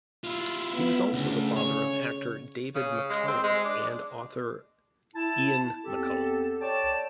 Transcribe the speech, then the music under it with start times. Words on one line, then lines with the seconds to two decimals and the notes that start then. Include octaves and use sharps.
He was also the father of actor David McCallum and of author Iain McCallum.
0.24 E4 F4
0.74 B3
1.13 D2 C#3
1.56 C#5
2.75 C#3
3.10 G#3
3.28 C4
3.43 G#3
3.65 D4
5.16 E4 A5
5.84 E2 C4 G4 A4
6.61 C#5 D5 G5 A5